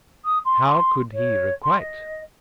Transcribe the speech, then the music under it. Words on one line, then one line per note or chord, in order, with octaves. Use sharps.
How could he requite!
D#6
C6
C6
C#5
C6
D#5